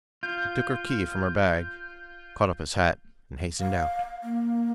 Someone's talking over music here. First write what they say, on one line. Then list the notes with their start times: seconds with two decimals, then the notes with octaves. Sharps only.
He took her key from her bag, caught up his hat, and hastened out.
0.23 F4 G6
3.60 F5
4.23 A#3